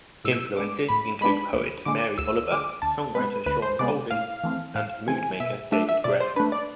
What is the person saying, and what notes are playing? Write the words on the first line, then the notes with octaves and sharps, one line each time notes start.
Influences include poet Mary Oliver, songwriter Shawn Colvin, and mood maker David Gray.
A2 E6
G#3 B3 D4 D6
A2 B5
G#3 B3 D4 B5
D2
D3 G#3 D6
D2 E6
D3 G#3 D6
D2 A5
C3 G#3 B3 B4
D2 B4
C5
C3 G#3 B3 D5
A2 F5
E3 A3 C4
A2 F5
E3 A3 C4 G#5
B2 E5
A3 D4 E5
E5
B2 D5
C5
A3 D4 B4
D5